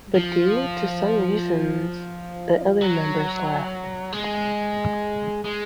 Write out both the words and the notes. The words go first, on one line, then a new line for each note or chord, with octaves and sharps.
But due to some reasons the other members left.
F3
F#3
G#3
G#3